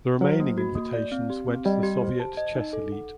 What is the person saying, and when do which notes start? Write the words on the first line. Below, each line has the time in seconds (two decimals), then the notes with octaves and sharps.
The remaining invitations went to the Soviet chess elite.
0.21 F#3 C5
0.40 A#3
0.58 F#4
0.75 A#3
0.93 D5
1.12 C4
1.30 G4
1.48 C4
1.65 G3 D#5
1.83 G4
2.02 C5
2.20 A5
2.37 D#5
2.55 D#4
2.73 A4
2.92 F#5